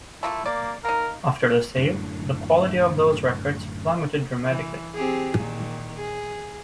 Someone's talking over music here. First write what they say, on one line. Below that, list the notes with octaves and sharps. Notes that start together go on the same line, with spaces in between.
After the sale, the quality of those records plummeted dramatically.
A3 A#3 E4 F4
A#3 D5
A#3 D#4 A#4
F#2 A2 D3
E3
C4 G4 G#4
A#2 D#3
G#4